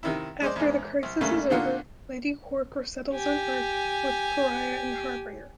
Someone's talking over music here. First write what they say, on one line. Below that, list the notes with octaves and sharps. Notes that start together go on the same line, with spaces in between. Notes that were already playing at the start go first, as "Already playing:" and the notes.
After the Crisis is over, Lady Quark resettles on Earth with Pariah and Harbinger.
C3 D#3 E4
G#3 C5 D5
E2 G#2
C2
E2 G2 C#3 A3 A#3
A#2 D3 A#3 F4 F#4
G4 G#5